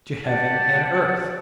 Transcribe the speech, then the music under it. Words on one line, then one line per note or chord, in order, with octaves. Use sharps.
To Heaven and Earth.
G4 D5 F#5 A5